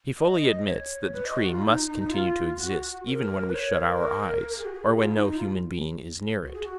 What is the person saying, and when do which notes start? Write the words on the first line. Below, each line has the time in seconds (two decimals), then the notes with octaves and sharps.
He fully admits that the tree must continue to exist even when we shut our eyes or when no human being is near it.
0.18 D#5
0.65 C#5
1.13 B4
1.25 D#5
1.37 F#4
1.49 F4
1.62 D#4
1.86 D#4
2.09 F4
2.58 F#4
3.06 A#4
3.50 B4
3.55 C#5
3.78 A#4
4.51 A#4
4.58 G#4
4.65 F#4
4.73 G#4
4.99 F4
5.11 D#4
5.23 D#4
5.35 F4
6.43 F#4
6.54 G#4
6.63 F#4